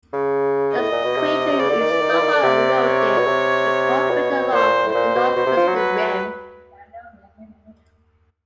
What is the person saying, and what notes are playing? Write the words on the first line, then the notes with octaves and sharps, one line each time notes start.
This crater is somewhat eroded, with a small crater along the northwestern rim.
C#3
A2 D#5
A#2
B2
C3
C3
C#3 D5
D3
D#3
E3
D#3
E3
D#3
D3
C3
C#5
B2
C3
B2
B2
A#2 C5
A2
A#2 C5
B2
B2
C3
F3
F#3
B4